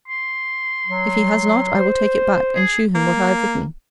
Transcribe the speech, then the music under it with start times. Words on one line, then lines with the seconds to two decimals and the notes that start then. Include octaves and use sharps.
If he has not, I will take it back, and shew him what I have written.
0.08 C6
0.87 F#3
1.79 C5
2.55 G#4
2.95 A#3